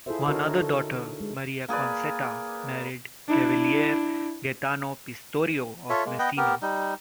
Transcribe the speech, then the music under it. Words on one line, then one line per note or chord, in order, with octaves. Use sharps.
One other daughter, Maria Concetta, married Cavaliere Gaetano Pistorio of Messina.
E4 F4 G#4 A4 C5 E5
D3 D#4 F#4 A4 A#4 C#5
A4
G#3
A#3 G#4 B4 D5
D4 E4
F4 A4 C#5 E5
G#3 A#3
B3 B4 D#5 G5
B3 G4 A#4
G3 D#4